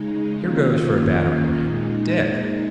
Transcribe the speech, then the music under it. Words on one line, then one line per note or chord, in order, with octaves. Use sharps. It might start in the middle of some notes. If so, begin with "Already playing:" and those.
Here goes for a battering-ram, Dick!'
Already playing: C#3 G#3 D#4
D#3 A#3 C#4 F4
A#2 G#3 D#4